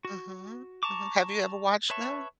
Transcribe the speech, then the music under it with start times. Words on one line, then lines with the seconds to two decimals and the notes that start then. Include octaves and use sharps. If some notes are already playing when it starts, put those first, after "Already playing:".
Mhm. Mhm have you ever watched them?
0.05 F#4
0.83 A5 A#5 C#6 D6
1.90 B4 C#5 E5 A5 C#6